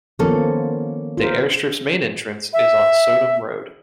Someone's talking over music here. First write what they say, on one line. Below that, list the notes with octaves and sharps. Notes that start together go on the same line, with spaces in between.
The airstrip's main entrance is on Sodom Road.
D#3 F3 A#3 B3 C#4 A4
F4 A#4 C5
E5